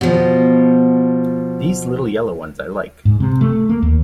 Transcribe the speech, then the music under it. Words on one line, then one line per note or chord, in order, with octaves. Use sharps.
These little yellow ones I like.
B2 F3
G#2
C3
A3
A#3
D#2